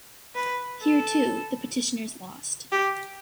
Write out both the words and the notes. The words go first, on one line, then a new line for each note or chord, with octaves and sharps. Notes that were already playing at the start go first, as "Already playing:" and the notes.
Here too, the petitioners lost.
B4
A4
G4